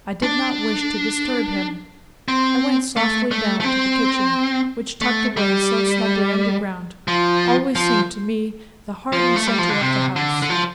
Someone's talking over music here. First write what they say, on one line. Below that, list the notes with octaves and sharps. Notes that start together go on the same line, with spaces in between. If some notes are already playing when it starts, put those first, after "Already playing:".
I did not wish to disturb him. I went softly down to the kitchen which, tucked away so snugly underground, always seemed to me the heart and center of the house.
D4
C4
A3
A3
A3
C4
A3
G3
F3
F3
F3
A3
G3
F3
D3
C3
D3
D3
F3